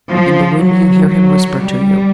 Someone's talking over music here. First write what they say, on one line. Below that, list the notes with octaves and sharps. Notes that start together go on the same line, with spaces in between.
In the wind you hear him whisper to you.
F3
F#3
F#3
G3